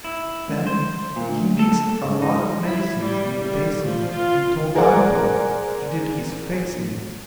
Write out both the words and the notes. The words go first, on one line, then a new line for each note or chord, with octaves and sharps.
Then he mixed a lot of medicines in the basin and told Bumpo to dip his face in it.
E4
C#2
C5
A#2
D2
A4
G#2
D#4
E4
G3
G3
F3
F4
G#4 A#4 C5 D5 F#5